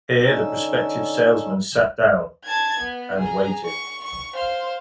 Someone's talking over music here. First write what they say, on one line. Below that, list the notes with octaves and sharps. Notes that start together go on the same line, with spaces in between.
Here the prospective salesmen sat down — and waited.
D3 C#4 D#4 E6
A5 G#6
B3
G#4 A#5
C#6
C#6
C5 F5